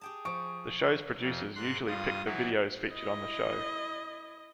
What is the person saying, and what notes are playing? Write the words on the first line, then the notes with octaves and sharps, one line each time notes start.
The show's producers usually pick the videos featured on the show.
G4 G#4 G5 A5
F3 C#6 D7
F2 C3
G#2 C6 F#6
G2 F4 D#6
E3 F#3 D#4 E4 F#4
E4 D#5